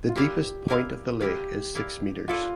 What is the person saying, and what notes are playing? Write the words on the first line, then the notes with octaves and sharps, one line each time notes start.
The deepest point of the lake is six meters.
F4
A#3 E4 G4 A#4 D5 F5
A#3 E4 A#4 D5 F5
A#3 E4 G4 A#4 D5 F5
A#3 E4 A#4 D5 F5
A#3 E4 F4 A4 D5